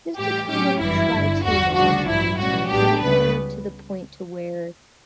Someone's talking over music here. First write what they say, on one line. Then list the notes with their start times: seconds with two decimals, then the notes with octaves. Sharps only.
just to kind of try to manage your routine a little better to the point to where
0.17 A2 E3 G3 G4
0.48 A2 F#3 C#4 G4
0.80 G1 F#2 E3 G3 E4
1.12 G1 G2 D3
1.43 E2 D3 G3 F#4
1.75 D2 C#3 G3 D4 F#4
2.06 A1 G2 F#3 E4
2.38 B1 A2 G3 C#4 F#4
2.69 A1 A2 F#3 B3 D4 G4
3.01 C#2 C#3 G3 B3 B4